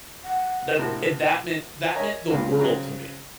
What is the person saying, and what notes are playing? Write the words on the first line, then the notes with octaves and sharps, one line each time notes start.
That it that meant that meant the world to me.
F#5
A#1 A2 C3 F#4 A#4 A5
A#4 C#5 D#5 E5 G#5 A#5
C#2 G2 A#2
C#3 F#3 C4 A#5